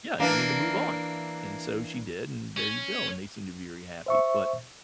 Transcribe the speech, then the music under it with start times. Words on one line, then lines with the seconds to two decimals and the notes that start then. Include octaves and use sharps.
Yeah, you need to move on, and so she did, and there you go, and they seem to be very happy, but,
0.19 E3 A#3 D4
2.57 C#4
4.06 C5 E5 C#6